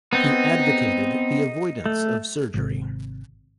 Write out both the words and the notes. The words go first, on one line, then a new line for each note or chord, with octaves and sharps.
He advocated the avoidance of surgery.
B3 C4 D#4
A3
G#1 C3